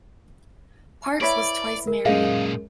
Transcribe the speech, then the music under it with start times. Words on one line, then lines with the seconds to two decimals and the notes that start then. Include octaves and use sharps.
Parkes was twice married.
1.21 E4 B4 C#5 D5 D7
1.87 A#4
2.05 F#2 A#2 G#3 D#4 G#4 D#5 F5